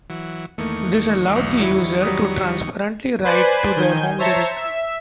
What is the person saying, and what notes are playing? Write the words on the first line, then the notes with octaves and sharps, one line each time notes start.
This allowed the user to transparently write to their home directory.
E3 F#3
E2 D#3 A3 A#3 C#6
B1
F#3 G3 E4
F#3 G3 D#6
B4 C5 D5 G#5 B5
D#3 G#5 G6
C5 C#5 E5 A5 A#5 C#6
E5